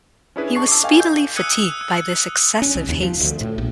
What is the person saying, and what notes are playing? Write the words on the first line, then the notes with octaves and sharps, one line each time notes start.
He was speedily fatigued by this excessive haste.
C#4 D4 E4 G#4 B4
A5 C#6 C7
D6 E6
A4 D#5 F5 G5 G#5
G6
D#6 E6 F#6 G#6 C#7 D#7
C#4
C2
D#2
F3
D2
A2
A#1